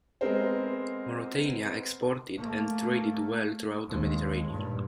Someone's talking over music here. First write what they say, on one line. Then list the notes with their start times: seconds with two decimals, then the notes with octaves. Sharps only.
Mauretania exported and traded well throughout the Mediterranean.
0.21 G#3 B3 C4 A#4 C5
2.38 A3 A#3
3.87 D#2 G#3
4.48 G2 A#2